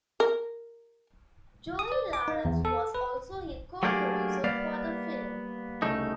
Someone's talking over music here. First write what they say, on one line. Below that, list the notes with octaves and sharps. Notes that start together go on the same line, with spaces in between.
Joey Lawrence was also a co-producer for the film.
A#4
D#6
D5
D6
D#4
E2
A4
B4
F#3 A3 A#3 D4 G4 G#4
G3 A#3 B3 D5 F5
C2 C#3 A3 D#4